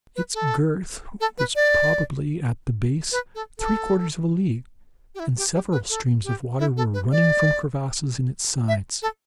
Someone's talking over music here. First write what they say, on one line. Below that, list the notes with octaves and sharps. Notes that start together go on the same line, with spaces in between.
Its girth was probably, at the base, three-quarters of a league, and several streams of water were running from crevices in its sides.
B4
A4
A4
B4
D5
B4
A4
A4
G4
E4
G4
G4
B4
A4
G4
E4
A4
B4
D5
E5
A4